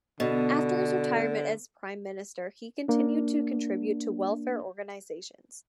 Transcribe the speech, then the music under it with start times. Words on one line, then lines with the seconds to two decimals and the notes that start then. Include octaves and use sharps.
After his retirement as Prime Minister, he continued to contribute to welfare organisations.
0.20 B2 D3
2.88 A#3 D4